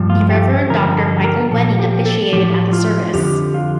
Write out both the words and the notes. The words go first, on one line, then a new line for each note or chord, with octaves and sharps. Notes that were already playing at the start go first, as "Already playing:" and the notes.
The Reverend Doctor Michael Wenning officiated at the service.
Already playing: G2 F3
F4
G4
G2 D3 F3 A#4
A4
A4
A#4
A#2 F3 A4
G4
A4
A2 F3 G4
F4
F2 D3 F3 G4
F4